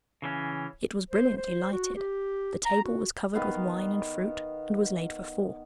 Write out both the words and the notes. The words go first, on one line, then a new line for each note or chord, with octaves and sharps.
It was brilliantly lighted; the table was covered with wine and fruit, and was laid for four.
C#3 E3 C#4
C5
C5
F#4
G4
A#5
F#4
D#3 B3 F5